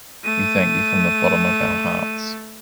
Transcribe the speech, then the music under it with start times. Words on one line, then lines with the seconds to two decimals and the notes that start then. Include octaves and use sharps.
We thank you from the bottom of our hearts.
0.24 A3 D#7